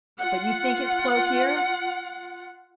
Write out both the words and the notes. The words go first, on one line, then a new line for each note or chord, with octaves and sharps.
"But you think it's close here?"
F4 F#5